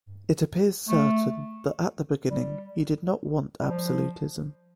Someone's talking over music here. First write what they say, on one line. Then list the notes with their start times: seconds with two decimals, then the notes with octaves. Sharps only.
It appears certain that, at the beginning he did not want absolutism.
0.89 A3
2.28 G3
3.61 G3
3.69 F3